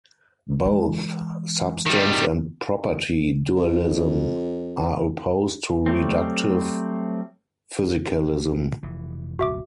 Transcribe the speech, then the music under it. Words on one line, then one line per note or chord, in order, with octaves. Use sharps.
Both substance and property dualism are opposed to reductive physicalism.
E3 G#3
D#3 G3
F2
F#3 G3 A3 C4
F1 E3
D#1 C2 F#2 F#4 E5 D6